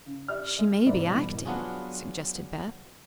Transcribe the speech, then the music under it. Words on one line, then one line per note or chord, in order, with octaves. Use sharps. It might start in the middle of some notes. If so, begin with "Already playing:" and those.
"She may be acting," suggested Beth.
C#3
G4 D5 E5 F6
G#3
G#2 C3 A#3 E4 D5
B2 E3 G3
F#3 B3 D4 F4 F#4 G#4